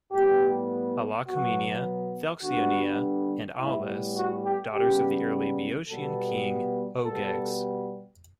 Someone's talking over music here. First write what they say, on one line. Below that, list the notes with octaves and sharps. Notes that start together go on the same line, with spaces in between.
Alalcomenia, Thelxionoea and Aulis, daughters of the early Boeotian king Ogyges.
A2 G3 B3 G4
B2 F#3 B3 F#4
D3 G3 B3 F#4
A2 G3 B3 E4
F#4
G4
C#3 G3 B3 G4
B2 G3 B3 A4
B2 G3 B3 A4